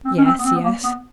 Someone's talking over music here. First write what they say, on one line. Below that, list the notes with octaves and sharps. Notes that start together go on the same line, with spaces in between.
"Yes, yes."
C4
C#4
C4
B3
C4
B3
A#3
B3